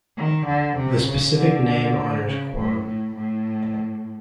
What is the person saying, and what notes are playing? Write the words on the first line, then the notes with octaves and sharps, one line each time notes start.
The specific name honours Kuan.
D#3
D3
C3
C#3
D3
C#3
A2
A2
A2